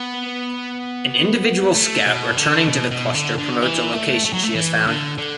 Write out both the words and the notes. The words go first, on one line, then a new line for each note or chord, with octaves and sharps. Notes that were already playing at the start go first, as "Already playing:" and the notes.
An individual scout returning to the cluster promotes a location she has found.
Already playing: B3
A3
B2
D3
B2
B2
D3
D3
E3
A3
A3
F#3
A3
E3
D3
D3